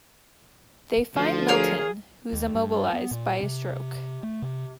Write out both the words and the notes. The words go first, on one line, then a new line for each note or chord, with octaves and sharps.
They find Milton, who's immobilized by a stroke.
D2 F3
G#4 A#4 C#5 F5
D#2
G2
B3
A#2
C3
A3
C3